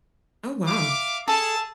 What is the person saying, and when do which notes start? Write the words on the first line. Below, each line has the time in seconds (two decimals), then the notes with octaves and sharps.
Oh, wow.
0.66 E5 F5 D6
1.28 G#4 A4 A5